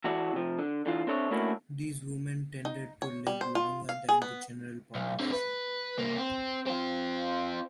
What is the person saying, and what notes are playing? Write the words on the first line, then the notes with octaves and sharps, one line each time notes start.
These women tended to live longer than the general population.
E3 E4 F#4 A4 D5
C3 F3
D3
D3 E3 F4
C4 D4 A4 C#5 E5
A3 A#3 C#4 D4 E4 F#4
D#4
C#5
G3
C5
F4
F5
G#4
B3
B1
D3 C4
B4
C2 A#3
C4
C4 F4